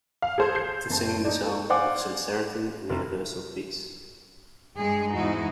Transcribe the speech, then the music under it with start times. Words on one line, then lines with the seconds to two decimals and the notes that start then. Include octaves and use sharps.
To sing the song of sincerity and universal peace.
0.22 F5
0.38 G#4 A4 C5 C6
0.55 G6 C7
0.89 F#1 A5
1.25 D#4 D5
1.44 A4
1.70 C5 D5 F5 F#5 G#5 D6
2.90 F1
4.78 G2 G#3 G#4
5.14 E2 G#2 D#4 E4 F#4